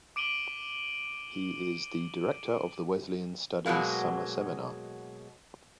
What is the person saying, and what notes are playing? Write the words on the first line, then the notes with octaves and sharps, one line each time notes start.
He is the Director of the Wesleyan Studies Summer Seminar.
D6 D7 D#7 F#7 G7
B2 F#3 G#3 A#3